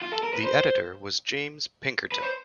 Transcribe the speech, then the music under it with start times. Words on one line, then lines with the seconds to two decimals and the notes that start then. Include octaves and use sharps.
The editor was James Pinkerton.
0.02 F4
0.12 A4
0.23 A#4
0.33 B4
0.44 C5
2.12 B4
2.22 C5